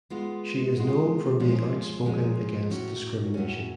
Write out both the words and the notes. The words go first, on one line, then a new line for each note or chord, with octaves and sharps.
She is known for being outspoken against discrimination.
G#3 B3 F4
G#3 B3 F4
F3 G#3 C#4 F4
F3 G#3 C#4 F4
A2 F#3 C#4
A2 F#3 C#4